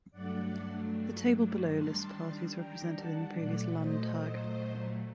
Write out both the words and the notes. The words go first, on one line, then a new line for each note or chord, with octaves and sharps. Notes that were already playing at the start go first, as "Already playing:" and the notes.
The table below lists parties represented in the previous Landtag.
G2 F#3 A3 D4 D5 F#5
D#3 G3 D4 A5 C6
G5 A#5
F#5 A5
A#2 F#3 A3 D5 F#5
C5 D#5
C5 D#5